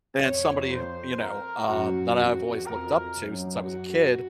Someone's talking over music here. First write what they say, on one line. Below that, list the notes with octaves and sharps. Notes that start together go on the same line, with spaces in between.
and somebody, wh you know, uh, that I've always looked up to since I was a kid,
F2 C#5
C5
A#4
F#2 F#4
F2
F2 A#4
F#2
F#4